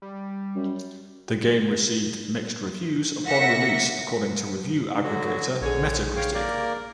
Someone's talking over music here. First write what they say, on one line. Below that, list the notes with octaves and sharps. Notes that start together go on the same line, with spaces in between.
The game received mixed reviews upon release according to review aggregator Metacritic.
G3
F#2
A#3 E5 F#5 A#6 B6 C#7
D3 F#3 F#4
A#1 D3 G#4 C#5
C#5 F5 G5
A#3 A#4 D5